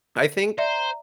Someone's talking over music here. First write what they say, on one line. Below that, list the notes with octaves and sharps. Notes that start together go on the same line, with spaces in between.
I think
C5 D5 E5 A#5